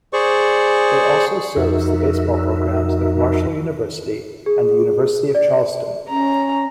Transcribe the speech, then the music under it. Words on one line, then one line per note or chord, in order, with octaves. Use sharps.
It also serves the baseball programs of Marshall University, and the University of Charleston.
G#4 C5 D5 C#6
F2 D#4 F#4 A#4 E5
G#4
D5
C#4 A#5